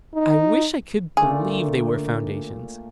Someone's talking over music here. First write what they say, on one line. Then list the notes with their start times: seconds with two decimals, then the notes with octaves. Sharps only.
"I wish I could believe they were foundations."
0.14 D#4
1.17 A#2 D3 A3 D4 G#4